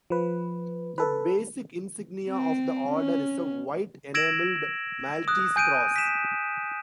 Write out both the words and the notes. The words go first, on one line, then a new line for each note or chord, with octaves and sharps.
The basic insignia of the Order is a white-enamelled Maltese cross.
F3 B4
A4 B4
C4
C#4
E6 G#6 A#6 D7 E7 F#7
D#6 F#6
G#5 G6 D7 D#7
B6 E7